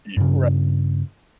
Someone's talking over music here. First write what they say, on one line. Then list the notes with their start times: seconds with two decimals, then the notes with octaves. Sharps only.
Ye right.
0.17 G2 C#3